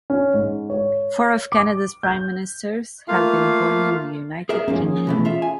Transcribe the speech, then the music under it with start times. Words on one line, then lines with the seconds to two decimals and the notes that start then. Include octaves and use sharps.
Four of Canada's Prime Ministers have been born in the United Kingdom.
0.10 C#4
0.34 G#2
0.70 C#5
1.52 D6
2.03 G6
3.08 A3 A#3 F4 F5
4.49 G#4 A#4 E5
4.68 G#2 F3 A#3 C#4 G#4
5.07 B2 E3 A3
5.25 F4 E5
5.42 G#5